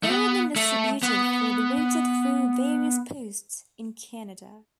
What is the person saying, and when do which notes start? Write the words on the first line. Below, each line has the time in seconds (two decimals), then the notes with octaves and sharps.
They were then distributed for the winter through various posts in Canada.
0.03 A3
0.10 B3
0.56 A3
1.03 B3